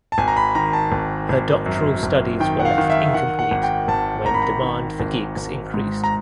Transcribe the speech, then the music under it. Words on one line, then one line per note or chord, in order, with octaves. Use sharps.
Her doctoral studies were left incomplete when demand for gigs increased.
A5
G#1 G#5
A#5
B5
D#3 A#5
A5
G#1
G#1
F#2
G#1
D#3 G5
F#5
F5
D#3
E5
D#3 F#5
F#5
G#1
G5
G#1 A5
G#1 A#5
B5
A#5
D#3
G#1
G#1
G#2
A#5